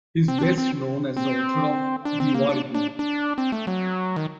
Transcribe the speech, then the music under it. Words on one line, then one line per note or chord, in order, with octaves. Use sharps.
He is best known as the author of "The War Game".
C4
D4
C4
C4
C4
D4
C4
A#3
D4
D4
D4
C4
A3
F#3
D#3